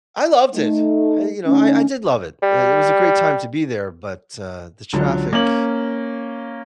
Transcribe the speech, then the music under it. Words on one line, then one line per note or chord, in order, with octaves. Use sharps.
I loved it. You know, I I did love it, i it was a great time to be there but, uh, the traffic,
A3 D#4
D3 A3 C#4 D#4
G3
C#2 D3 F#3
A#3 C#4 F#7